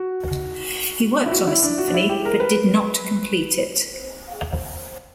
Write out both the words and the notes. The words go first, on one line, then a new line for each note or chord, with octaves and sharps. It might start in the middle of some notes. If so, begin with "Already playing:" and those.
He worked on a symphony but did not complete it.
Already playing: F#4
E4
F#4
E4
D4
F#4
D4
E4
G4
A#4
B4